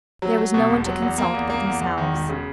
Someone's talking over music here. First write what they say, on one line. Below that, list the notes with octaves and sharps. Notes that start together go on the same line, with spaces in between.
There was no one to consult but themselves.
F#3
F#3
B2
E1
F#3
E2
A#3
E2
A#3
E2
E2
D#3
E1
C#3